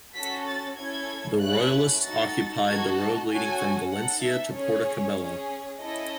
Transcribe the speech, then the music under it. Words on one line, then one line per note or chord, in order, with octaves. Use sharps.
The Royalists occupied the road leading from Valencia to Puerto Cabello.
C#4 F#4 A4 B6
A6
C#4 E4 A4 G#6
A3 C#4 E4 F#6
D#4 F#4 A4 A6
D#4 F#4 A4 G#6
A5
C#4 F#4 A4 G#5
D#4 A4 F#5
E5
C#4 G#4 C#5
C#4 G#4
C#4 E4 A4 D#5